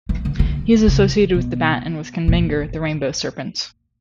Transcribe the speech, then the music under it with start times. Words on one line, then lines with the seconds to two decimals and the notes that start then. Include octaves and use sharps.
He is associated with the bat and with Kunmanggur the rainbow serpent.
0.09 E3
0.25 D3
0.39 D3
0.88 C#3
1.34 B2
2.28 A#2